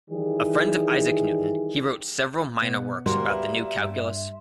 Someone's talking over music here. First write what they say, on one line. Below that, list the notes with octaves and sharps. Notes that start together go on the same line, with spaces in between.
A friend of Isaac Newton, he wrote several minor works about the new calculus.
D#3 E3 G3 G#4
B2 B3
D2 G3 A#3 F#4 C6
B4 E5
G2